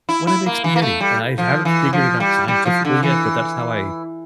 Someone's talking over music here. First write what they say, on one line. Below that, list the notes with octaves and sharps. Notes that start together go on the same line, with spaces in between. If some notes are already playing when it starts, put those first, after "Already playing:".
when I make spaghetti, and I haven't figured it out scientifically yet, but that's how I
E4
E4
A#3
E3
A#3
A3
G3
F3
E3
F3
G3
G3
F3
D3
E3